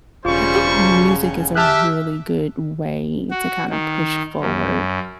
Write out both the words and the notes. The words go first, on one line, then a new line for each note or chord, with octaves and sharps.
I think music is a really good way to kinda push forward,
E1 C#3 G3 F4 C5 C#6
G4 E5 A5 F6 F#6
F#4
D#3
F#2